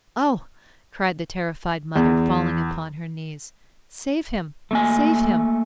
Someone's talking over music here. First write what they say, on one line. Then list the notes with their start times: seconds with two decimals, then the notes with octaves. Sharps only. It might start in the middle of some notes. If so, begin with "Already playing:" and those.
"Oh!..." cried the terrified mother, falling upon her knees; "save him! save him!"
1.96 E2
4.71 A3 A#3 G#5